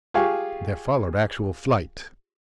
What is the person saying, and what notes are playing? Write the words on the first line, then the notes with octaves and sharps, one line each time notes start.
There followed actual flight.
F4 G4 G#4 F5 G#5 C#6